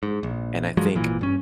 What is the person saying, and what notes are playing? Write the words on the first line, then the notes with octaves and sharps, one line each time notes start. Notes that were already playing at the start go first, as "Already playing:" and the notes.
and I think
G#2
A#1
G2 F3 F#3 G#3
G#1 A#2 E3
G2 C#4